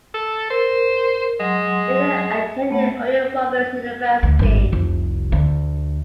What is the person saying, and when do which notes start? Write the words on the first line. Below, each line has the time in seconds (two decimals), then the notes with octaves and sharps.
Miller attended Oral Roberts University.
0.14 A4
0.50 A#4 C5
1.39 F#3 G#3 F#5 C6
2.71 A3 B3 F#5
4.23 D2
4.39 G#1 G2
4.72 F1 C2
5.32 D2